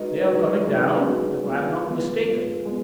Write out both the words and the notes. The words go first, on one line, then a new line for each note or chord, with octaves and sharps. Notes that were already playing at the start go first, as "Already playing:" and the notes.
"They are coming down, if I am not mistaken."
Already playing: G#3 D#4 F#4 B4 D#5
G#3 D#4 F#4 B4 D#5
G#3 D#4 F#4 B4 D#5
G#3 D#4 F#4 B4 D#5
G#3 B3 F4 B4
G#3 B3 F4 B4
G#3 B3 F4 B4
G#3 B3